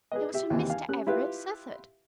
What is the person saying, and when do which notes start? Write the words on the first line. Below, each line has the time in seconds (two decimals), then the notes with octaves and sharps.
"It was from Mr. Everett Southard."
0.12 G#4 B4 D#5
0.34 G4 E5
0.50 D#2 C3 E3
0.70 F5 G#5
0.89 C#4 G4 F#6
1.07 E4 F4 G4 B4